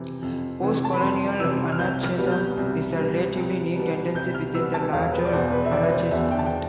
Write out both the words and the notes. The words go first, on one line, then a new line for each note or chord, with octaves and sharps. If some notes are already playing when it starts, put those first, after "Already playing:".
Post-colonial anarchism is a relatively new tendency within the larger anarchist movement.
Already playing: F2 C3 E3
F2
C3 E3
A5
B5
F2 C6
C3 E3 E6
F6
C2 G6
F6
B2 G3 B3
F6
G6
C2
B2 G3 B3
C2
B2 G3 B3
C2 G6
F6
B2 G3 B3 E6
A5
E1 F5
B4
D5
E2 B2 C5
B4
E5
E1 D5
B4
C5
E2 B2 E5
G5
A5
G5